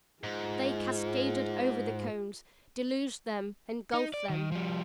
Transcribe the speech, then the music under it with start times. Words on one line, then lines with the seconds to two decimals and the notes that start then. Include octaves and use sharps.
They cascaded over the cones; deluged them; engulfed them.
0.23 G#2 F4 G#4
3.94 D#4
4.14 D5
4.30 D#3
4.52 F3 G3